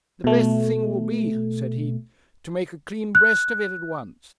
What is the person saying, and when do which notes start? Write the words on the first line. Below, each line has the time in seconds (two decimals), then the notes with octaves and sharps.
'The best thing will be,' said he, 'to make a clean breast of it at once.
0.24 B2 A3
3.15 F#6